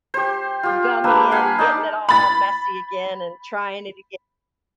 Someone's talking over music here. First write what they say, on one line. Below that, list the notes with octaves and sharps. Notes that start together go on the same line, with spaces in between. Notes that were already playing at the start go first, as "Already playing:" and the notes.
gummy and getting it all messy again and trying it again
G4 C5
F4 G4
A#3 D4 B4 E6
F5 F#5 G#5 B5
D#4 D5 A5
B5 A6